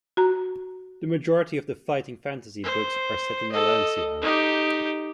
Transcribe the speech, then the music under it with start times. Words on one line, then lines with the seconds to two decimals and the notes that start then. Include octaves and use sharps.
The majority of the "Fighting Fantasy" books are set in Allansia.
0.17 F#4 A#5
2.64 C5
3.52 A4 D#5
4.22 D#4 G4